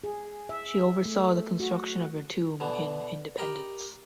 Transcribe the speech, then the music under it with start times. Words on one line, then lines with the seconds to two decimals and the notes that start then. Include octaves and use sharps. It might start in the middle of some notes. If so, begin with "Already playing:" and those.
She oversaw the construction of her tomb in Independence.
0.04 G#4
0.49 E5
1.05 A3
1.60 F#4
2.60 B2 D3 E3
3.38 G4 A#4 D#5 G5 B5